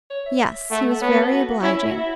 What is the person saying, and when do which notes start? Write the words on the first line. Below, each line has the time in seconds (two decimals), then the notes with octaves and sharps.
'Yes; he was very obliging.
0.10 C#5
0.26 E5
0.71 A3 F#5
0.82 A5
0.91 F#5
1.01 B3 C#5
1.11 B4
1.22 A4
1.31 F#4
1.62 C#4 E4
1.83 E4
1.90 F#4
1.97 E4